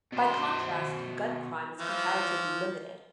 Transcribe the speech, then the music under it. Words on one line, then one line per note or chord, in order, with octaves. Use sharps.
By contrast, gun crime is comparatively limited.
B2 C5
E3 F3